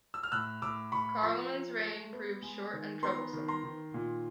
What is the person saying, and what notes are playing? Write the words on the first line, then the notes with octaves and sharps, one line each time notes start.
Carloman's reign proved short and troublesome.
E6
F6
A2 E6 F#6
A2 D6 E6
A2 B5 C#6
F3 A#5 C6
F3
A3
B3
G#3
D#3
B3 A#5 C6
D#3
A#5 C6
D#3
A#2